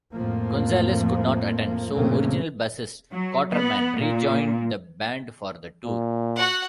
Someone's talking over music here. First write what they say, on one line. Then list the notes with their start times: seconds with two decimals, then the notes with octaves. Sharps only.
Gonzalez could not attend, so original bassist Cotterman rejoined the band for the tour.
0.12 F2 A2 F3 A#3
1.94 A#1 F#2 C#3 A3 A#3 C4
3.12 F#3
3.51 B3
3.98 A#2
5.85 A#2
6.35 F#4 F#5